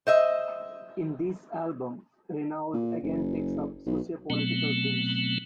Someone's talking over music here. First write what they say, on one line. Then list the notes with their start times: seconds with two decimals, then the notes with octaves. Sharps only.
In this album Renaud again takes up socio-political themes.
0.07 C5 D#5 E5
2.74 A#2
3.03 F#1
3.86 B1
4.30 B2 F#3 A3 B3 C4